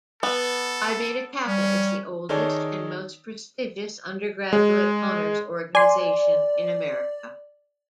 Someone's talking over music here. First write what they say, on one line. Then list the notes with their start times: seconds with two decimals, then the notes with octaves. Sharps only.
Phi Beta Kappa is the oldest and most prestigious undergraduate honors organization in America.
0.23 B3 A4
1.47 G3 C#4
2.29 D#3 D#4 G#4 A4 C#5 D5
4.53 G#3
5.75 D5 G#5 C6